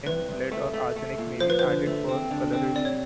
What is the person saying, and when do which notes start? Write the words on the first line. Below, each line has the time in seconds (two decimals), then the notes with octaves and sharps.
Tin, lead or arsenic may be added for colouration.
0.06 C2 B4
0.29 C2
0.52 A3
0.73 A3
0.96 A3
1.18 A#2
1.40 F3 C5
1.50 B4
1.59 D3 C5
1.86 A3
2.09 C4
2.31 D3
2.53 C4
2.75 C3 D5
2.85 C#5